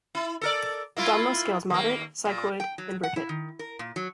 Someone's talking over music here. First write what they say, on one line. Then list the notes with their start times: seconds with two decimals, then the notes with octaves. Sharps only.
Abdominal scales moderate, cycloid, imbricate.
0.15 E4
0.41 A4 A#4 D5
0.97 A#3 E4 F4
1.70 D#2 A#3
2.25 A#2
2.60 G5
2.78 F#3
3.03 F#5
3.16 E4
3.29 D#3
3.59 A#4
3.79 A#2
3.96 F#3